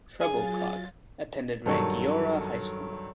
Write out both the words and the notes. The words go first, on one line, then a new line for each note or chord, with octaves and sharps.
Trebilcock attended Rangiora High School.
F#3 F4 G#4 A6
G2 D#3 F#3 A4 C#5